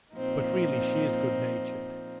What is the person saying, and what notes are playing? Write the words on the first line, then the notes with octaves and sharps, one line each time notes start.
But really she is good-natured.
A#2 F3 C4 D#4